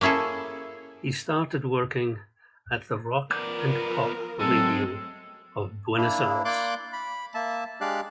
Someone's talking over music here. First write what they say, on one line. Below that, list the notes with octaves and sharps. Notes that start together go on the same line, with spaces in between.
He started working at the Rock and Pop radio of Buenos Aires.
A#3 C#4 E4 G#4 A4
F3 B3 F4 A#4 D5
F#3 G#3 A3 C4 A4
A#3 D4 E4
A#3 D5 C6 D6 F#6
B5
A#3 E5 A5
G#3 D4 G4 D5 F5 F#6